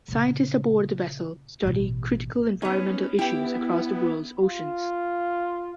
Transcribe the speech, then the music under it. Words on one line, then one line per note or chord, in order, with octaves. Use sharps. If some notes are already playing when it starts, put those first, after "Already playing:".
Scientists aboard the vessel study critical environmental issues across the world's oceans.
A#2 C#3
A1 B2
B3 C#4 D#4
B3 E4 G4 G5
F4